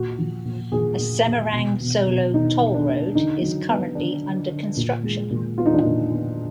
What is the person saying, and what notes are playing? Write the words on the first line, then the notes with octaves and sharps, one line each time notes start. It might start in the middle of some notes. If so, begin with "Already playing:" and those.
A Semarang-Solo Toll Road is currently under construction.
Already playing: A#2 F#4
F3
A#2
A#2 G#4
A#2
A#2
B2
B2
B2
B2 D#4
B2
D4
A#3
D3 D#4
F#3
B3
D3 D4
D3
D3
A#2
G#3
A#2
B3 F4
D#4
D4
A#2 D#4
B3